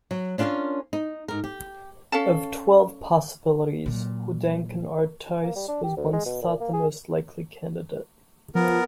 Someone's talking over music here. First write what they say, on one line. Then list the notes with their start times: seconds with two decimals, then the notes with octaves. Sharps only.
Of twelve possibilities, Houdenc in Artois was once thought the most likely candidate.
0.11 F#3
0.38 C#4 D4 F4 G4 A#4 C#5
0.93 D#4
1.28 G#2 A#4
1.44 G4
2.12 C#4 A4 F5 A5
3.86 A#2 F#3
5.43 A#3
5.56 G3
5.69 D4
5.84 G4
5.97 D2
6.13 G#3
6.26 B2
6.42 A#2
6.60 A#3
6.73 G#4
8.55 F3 B3 A#4